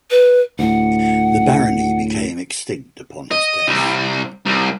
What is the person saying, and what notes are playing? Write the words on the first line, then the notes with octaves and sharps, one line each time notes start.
The barony became extinct upon his death.
B4
D2 A2 F#5
D#5
C2
C2